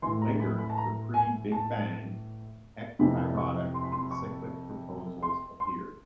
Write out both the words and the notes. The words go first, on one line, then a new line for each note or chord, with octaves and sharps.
Later, the pre-big bang, ekpyrotic and cyclic proposals appeared.
A2 E3 C6
A#5
B5
B5
A5
A#5
G#5
A5
F2 C3 E3 B5
C#6
C6
B5
C6
C#6
C6
C6